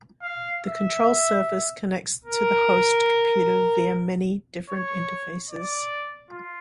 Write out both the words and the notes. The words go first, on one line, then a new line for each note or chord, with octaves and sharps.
The control surface connects to the host computer via many different interfaces.
F5
E5
A#4
C#5
D5
F4